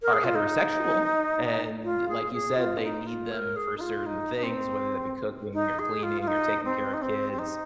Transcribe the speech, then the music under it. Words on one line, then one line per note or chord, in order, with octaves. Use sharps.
are heterosexual, and like you said, they need them for certain things, whether that be cooking or cleaning or taking care of kids.
A#4
G#4
F4
D#4
F4
G#4
G#4
F4
C4
D#4
F4
A#4
G#4
D#4
F4
D#4
D#4
C4
D#4
G#4
F4
F4
D#4
C4
D#4
C4
C4
D#4